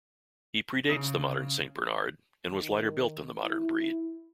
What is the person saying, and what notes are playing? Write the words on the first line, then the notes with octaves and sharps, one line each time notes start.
He predates the modern Saint Bernard, and was lighter built than the modern breed.
C#3
D#3
E4